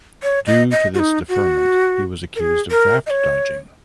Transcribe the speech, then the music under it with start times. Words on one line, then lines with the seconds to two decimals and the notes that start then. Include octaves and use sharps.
Due to this deferment he was accused of draft dodging.
0.23 C#5
0.47 D#5
0.71 D#5
0.94 F#4
0.99 D#4
1.29 F#4
2.36 A#4
2.40 G#4
2.71 A#4
3.07 D#5
3.10 C#5